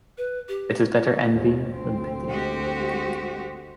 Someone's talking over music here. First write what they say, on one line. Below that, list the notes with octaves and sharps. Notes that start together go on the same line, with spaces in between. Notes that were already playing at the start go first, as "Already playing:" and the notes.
It is better envy than pity.
B4
G4
D#2 G#3
D2 C4
G#3 F#4 G4